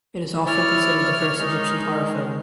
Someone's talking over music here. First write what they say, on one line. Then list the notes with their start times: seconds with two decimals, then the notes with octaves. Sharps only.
It is often considered the first Egyptian horror film.
0.46 E4 C#5 D5 F6
1.38 D#3 G#3 D#4